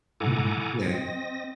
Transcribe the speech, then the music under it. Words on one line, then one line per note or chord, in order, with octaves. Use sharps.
Mhm. Yeah.
E4 A4 F#5 G#5 A#5 D6
C4 D#5 A#6